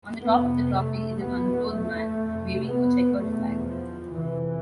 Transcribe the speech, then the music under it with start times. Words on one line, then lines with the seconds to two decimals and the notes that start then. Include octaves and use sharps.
On the top of the trophy is an unclothed man waving a checkered flag.
0.22 F2 C3 B3
0.72 A3
1.20 E2 B2 B3
1.68 A3
2.17 F2 C3
2.66 B3
3.14 E2 B2 A3
3.63 F3
4.12 F2 C3 E3